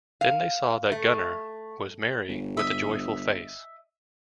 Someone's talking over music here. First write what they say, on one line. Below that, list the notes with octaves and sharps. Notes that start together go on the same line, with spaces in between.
Then they saw that Gunnar was merry, with a joyful face.
F5
A3
G1
D#5 E5